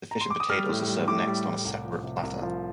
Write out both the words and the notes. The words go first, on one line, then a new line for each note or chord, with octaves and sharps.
The fish and potatoes are served next on a separate platter.
A#5
C6
D6
D#6
G3 F6
A2
G3
A2 D6
G3
A2
C2
F3
C3
C2
F3